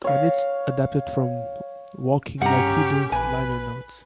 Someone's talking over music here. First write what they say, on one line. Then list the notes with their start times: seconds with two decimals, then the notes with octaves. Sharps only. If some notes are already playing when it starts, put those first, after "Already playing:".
Credits adapted from "Walking Like We Do" liner notes.
0.04 C#5 F5
2.42 G2 C#4 G4 F#5 A#5
3.12 A#1 B4 G#5